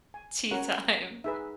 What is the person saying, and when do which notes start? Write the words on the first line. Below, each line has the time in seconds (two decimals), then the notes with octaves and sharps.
tea time.
0.14 G#5
0.51 C#4 F#4 A#4 C#5 F#5
1.24 D#4 G#4 B4 E5